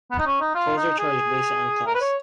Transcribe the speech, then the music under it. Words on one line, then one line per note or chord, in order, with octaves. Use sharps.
Tolls are charged based on class.
B3
D#4
C#4
D#4
F4
D#4
G#4
A#4
B4
C#5